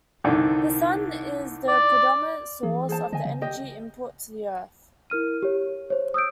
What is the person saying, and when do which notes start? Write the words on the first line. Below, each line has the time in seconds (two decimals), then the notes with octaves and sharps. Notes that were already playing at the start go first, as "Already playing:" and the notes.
The Sun is the predominant source of energy input to the Earth.
0.24 C2 D3 D#3
1.68 D5
2.63 E3 G#4
2.89 G#4 C5 A5
3.13 D3 D#5 G#5
3.25 C#3
3.42 G4 D#5
5.10 E4 A#4 F6 D#7
5.42 G4 C#5
5.90 C5 C#5
6.14 D#6 E6 G6 D7